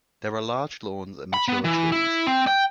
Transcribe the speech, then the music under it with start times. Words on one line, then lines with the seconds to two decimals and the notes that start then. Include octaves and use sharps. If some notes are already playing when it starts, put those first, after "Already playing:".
There are large lawns and mature trees.
1.34 B5
1.48 B3
1.64 E3
1.92 E4
2.27 C4
2.47 G5